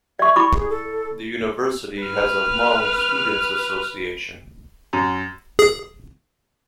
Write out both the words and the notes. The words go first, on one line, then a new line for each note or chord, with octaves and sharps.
The university has a Hmong Students Association.
D5 E5 C#6
E4 B5 C#6 D6
G#4
A4
B4 F6
F#2
G#4